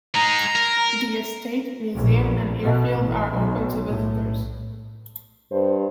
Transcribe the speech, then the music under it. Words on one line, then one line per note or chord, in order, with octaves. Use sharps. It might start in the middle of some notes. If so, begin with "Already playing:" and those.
The estate, museum, and airfield are open to visitors.
G#3 D#4 A#5
A#4
A#1
B2
A1
B1
A2
G2 C5